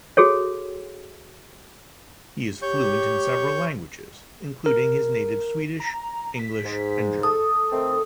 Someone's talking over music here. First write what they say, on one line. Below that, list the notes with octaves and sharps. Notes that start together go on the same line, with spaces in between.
He is fluent in several languages including his native Swedish, English and German.
F#4 G#4 A4 C#5
G4 C#5 C#6 G6
A#4
A#5
B6
G#2
A4 D#6
D#3 A3 C4